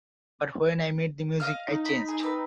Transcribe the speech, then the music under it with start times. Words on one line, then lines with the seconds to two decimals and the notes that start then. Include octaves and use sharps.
But when I met the music, I changed.
1.40 D#5 F5 F6
1.68 D#4
1.85 B5
2.08 G#4
2.20 C4 B4